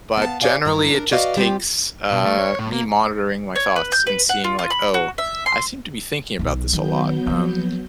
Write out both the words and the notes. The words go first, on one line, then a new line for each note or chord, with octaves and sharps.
but, generally, it just takes, uh, me monitoring my thoughts and seeing like, "Oh, I seem to be thinking about this a lot, um"
B3 F5 A5
E2 G4 C#5 D5 F5 G#5
G2 E3 E4 A#5
D4 A#4
F#4 B4 D5 D#5 F5
G3 C4 F4 G4
B2
A3
C#5
A2
A#3
C#5
B4
G6
B4
F#5
F4
F4
B5
F#4
E5
C6
B1 B2
D#3 F#3 B3 G6
F3 A#3